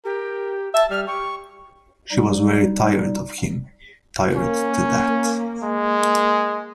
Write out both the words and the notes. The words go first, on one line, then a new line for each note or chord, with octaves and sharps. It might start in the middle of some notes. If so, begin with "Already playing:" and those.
She was very tired of him — tired to death.
G4 A#4
E5 A5
G3 F6
G4 C#6
G3 D#4
A#3 C#4
G#3